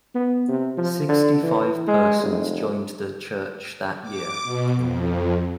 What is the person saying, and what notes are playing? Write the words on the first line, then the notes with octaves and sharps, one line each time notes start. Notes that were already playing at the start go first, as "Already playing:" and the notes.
Sixty-five persons joined the church that year.
B3
C3
F3
D3
E3
G#3
F1
D6
B2
F2